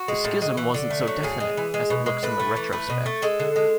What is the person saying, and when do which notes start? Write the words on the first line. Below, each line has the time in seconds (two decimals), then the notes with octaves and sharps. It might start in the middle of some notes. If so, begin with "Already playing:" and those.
The schism wasn't so definite, as it looks in the retrospect.
Already playing: F#4
0.08 G#3
0.24 A2
0.42 G#3
0.57 E3
0.74 D3
0.90 A3
1.07 F#3
1.23 A2 G#4
1.40 G#3
1.57 E3
1.74 G#3
1.90 B2
2.06 G#3
2.23 A2 B4
2.40 A3
2.56 E3
2.72 A3 B4
2.89 B2
3.06 A3
3.22 G#3 A4
3.39 D3
3.56 G#3